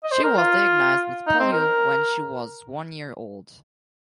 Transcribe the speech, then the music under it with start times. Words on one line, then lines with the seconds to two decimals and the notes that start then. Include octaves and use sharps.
She was diagnosed with polio when she was one year old.
0.04 D#5
0.12 C5
0.24 A#4
0.37 F4
1.27 D#4
1.40 C4
1.53 A#4